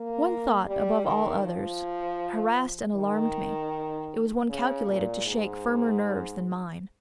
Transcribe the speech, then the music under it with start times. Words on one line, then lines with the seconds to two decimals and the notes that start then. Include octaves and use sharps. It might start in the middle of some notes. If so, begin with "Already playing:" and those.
One thought, above all others, harassed and alarmed me; it was one calculated to shake firmer nerves than mine.
Already playing: A#3
0.66 G3
1.05 D#3
1.43 F3
2.95 D#3
4.49 C#3
4.87 A#2
5.26 G#2